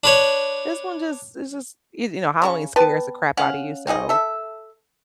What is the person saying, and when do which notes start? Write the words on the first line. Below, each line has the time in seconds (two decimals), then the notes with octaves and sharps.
This one just it's just, you you know, Halloween scares the crap out of you, so,
0.04 D4 B4 C#5
2.42 C#3 F4 C#6
2.76 B3 G4 B4 A5
3.37 C#4 F5 F#5
3.87 C4 D#4 G#4 D#5
4.09 A4 E5